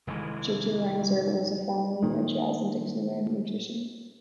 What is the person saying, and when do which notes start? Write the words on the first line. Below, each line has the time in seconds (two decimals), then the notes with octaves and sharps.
Gigerenzer was formerly a jazz and Dixieland musician.
0.07 F1 D#3 E3 G#3
2.03 A#2 D#3